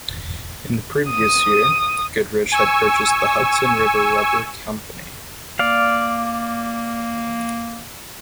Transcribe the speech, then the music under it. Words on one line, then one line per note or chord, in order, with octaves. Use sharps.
In the previous year, Goodrich had purchased the Hudson River Rubber Company.
D#6
G#5 C#6 E6
A#3 D5 F5